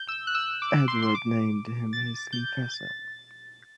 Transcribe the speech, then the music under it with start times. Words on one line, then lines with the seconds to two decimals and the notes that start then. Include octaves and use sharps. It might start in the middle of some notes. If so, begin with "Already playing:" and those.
Edward named him his confessor.
Already playing: G6
0.08 E6
0.27 F#6
0.35 E6
0.62 D6
0.88 C6
1.03 C6
1.15 D6
1.93 A6
2.33 G6
2.72 A6